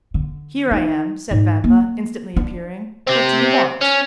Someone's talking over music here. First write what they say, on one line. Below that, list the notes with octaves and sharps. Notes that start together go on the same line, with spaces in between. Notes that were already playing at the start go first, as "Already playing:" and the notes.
"Here I am," said Vampa, instantly appearing; "what do you want?"
D3
D#4
G#2
A#3
D4
C4 G4
C#4